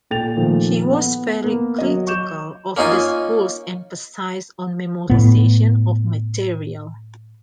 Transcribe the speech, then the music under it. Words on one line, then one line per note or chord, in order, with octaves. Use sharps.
He was very critical of the school's emphasis on memorization of material.
A#2 A4 G5 A6 F7
A#2 D#3 F3 A3 A#3
B3 F#5
A#3 B3
F#3 D#5
C#6 D6 G6 E7
A#3 C#4 D#4 F4 G#5
A2 B3